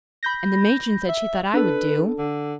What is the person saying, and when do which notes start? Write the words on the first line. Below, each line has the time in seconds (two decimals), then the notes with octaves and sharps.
And the matron said she thought I would do.
0.23 B5 G6 A#6
1.09 E5
1.54 D4 A4 B4
2.18 D3